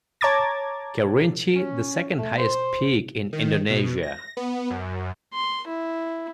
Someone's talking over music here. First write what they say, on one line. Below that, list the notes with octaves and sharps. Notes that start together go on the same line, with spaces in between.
Kerinci, the second highest peak in Indonesia.
C#5 A5 A#5 D6 G#6 A6
C#4
A3
C5
D#3
B2
A#6
B3
F#2
C6
E4